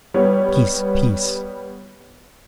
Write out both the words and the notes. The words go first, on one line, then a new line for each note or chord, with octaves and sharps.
Peace, peace!
G3 B3 C#5